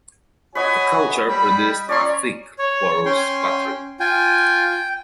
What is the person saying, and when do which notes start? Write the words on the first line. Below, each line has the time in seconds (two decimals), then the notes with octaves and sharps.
The culture produced a thick, porous pottery.
0.55 F#4 B4 C#5 D#5 G#5
1.27 G3 B5
1.89 C#4 C#5 D5 A#5 C6
2.59 C#5
3.06 C#4 G5 C6
4.00 F4 G5 G#5